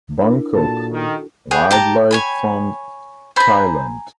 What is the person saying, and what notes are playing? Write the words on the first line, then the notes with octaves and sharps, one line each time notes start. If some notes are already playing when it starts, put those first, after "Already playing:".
Bangkok: Wildlife Fund Thailand.
D4 E4 A#4
A#2 F#4 A4 A5
D#3
G#4 C#5 F#5 G5
G4 A5 A#5
C#5 G#5 B5
C5 G#5 A#5 B5 G6